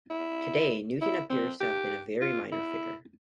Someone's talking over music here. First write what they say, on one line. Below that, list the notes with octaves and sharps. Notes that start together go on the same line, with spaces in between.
Today Newton appears to have been a very minor figure.
E4
E4
C4
G4
F4
E4